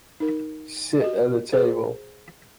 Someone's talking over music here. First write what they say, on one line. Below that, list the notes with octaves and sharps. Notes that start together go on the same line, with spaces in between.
Sit at the table.
D#4 A#4
F#4 G4 D#5
G#4 C5